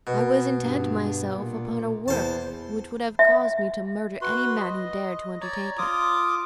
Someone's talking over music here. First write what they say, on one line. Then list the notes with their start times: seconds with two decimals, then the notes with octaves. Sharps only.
I was intent myself upon a work which would have caused me to murder any man who dared to undertake it.
0.07 B2
0.64 G2
1.34 A#2
2.08 E2 C5 A5
3.19 E5
4.21 F#4 B4 C6
4.56 D#5
5.41 C#5 D5 A#5
5.78 F4 D6 D#6